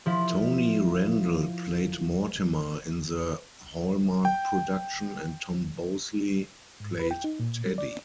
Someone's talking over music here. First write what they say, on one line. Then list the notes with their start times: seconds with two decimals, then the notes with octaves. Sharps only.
Tony Randall played Mortimer in the Hallmark production and Tom Bosley played Teddy.
0.06 F3 E4
4.25 G5
6.80 G#2
6.99 B4
7.11 G5
7.24 D#4
7.39 A#2
7.66 G3
7.78 D5